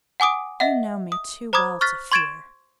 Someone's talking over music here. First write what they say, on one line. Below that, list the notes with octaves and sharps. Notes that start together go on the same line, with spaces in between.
'You know me too well to fear.'
F#5 G#5 D6 D#6 D7
D#5 E5 F#5
D#6
C5 A#5 B5 D6 D#6 G#6
C#6 F6 F#6 A6 B6
C6 C#6 G#6 A6 D7 E7